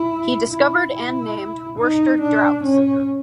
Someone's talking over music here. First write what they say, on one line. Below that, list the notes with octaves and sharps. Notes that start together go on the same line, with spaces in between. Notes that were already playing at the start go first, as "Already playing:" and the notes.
He discovered and named Worster-Drought syndrome.
Already playing: E4
E4
E4
D#4
D4
C#4